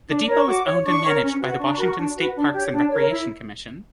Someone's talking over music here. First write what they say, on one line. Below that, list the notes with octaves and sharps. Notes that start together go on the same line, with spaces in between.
The depot is owned and managed by the Washington State Parks and Recreation Commission.
D4
A#4 C#5
C#6
F#4 D6
C#5
D4 C#6
A#4 C#5
C#4
F#4 B4
D4 C#6
A#5
C#6
F#4 A#4 B5
C#6
D4
F#4 B4
D4
G4 C#5
D4
A#4 C#5
E4